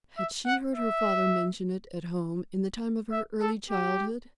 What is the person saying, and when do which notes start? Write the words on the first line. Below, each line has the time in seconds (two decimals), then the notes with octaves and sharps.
Had she heard her father mention it at home in the time of her early childhood?
0.18 E5
0.46 F#5
0.76 E5
3.12 E5
3.41 A4
3.71 G4